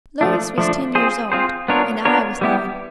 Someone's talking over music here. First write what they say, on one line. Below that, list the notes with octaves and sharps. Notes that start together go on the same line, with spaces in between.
Louis was ten years old and I was nine.
F3 A3 D4
F3 A3 D4
C4 F4 G#4 C5
C4 F4 G#4 C5
B3 D4 F4 A#4 C#5
B3 D4 F4 A#4 C#5
G3 B3 E4 G4